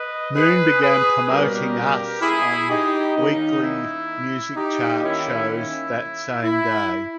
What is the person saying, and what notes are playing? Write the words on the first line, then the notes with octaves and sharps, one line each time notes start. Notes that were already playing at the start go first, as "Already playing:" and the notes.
Moon began promoting "Us" on weekly music chart shows that same day.
Already playing: B4 D#5
G#4 B4
G#4 B4
B2 G3 A#3 C#4 G4 A#4
E4 G#4
D#4 G4
D#3 A#3 C#4 D#4
E4
D#4 G4
D#3 A#3 C#4 E4
E4
E4